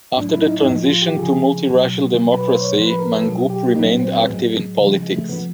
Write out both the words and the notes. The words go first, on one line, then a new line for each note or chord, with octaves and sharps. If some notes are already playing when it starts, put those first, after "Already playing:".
After the transition to multiracial democracy, Mangope remained active in politics.
A2 F#3 D4
E4
D#4
D#4
A2 F3 D#4
F4
G4
C#3 F3 G#4
B2 F#3
B2 F#3
B4
C5
C#5
A2 F3 C5
B4
A#4
A4
B2 F#3
G4
A#2 F#3 D#4
C4
C4
B3
A2 F#3 G#3
C#3 G3
F3
G#3
A3
C3 F3 B3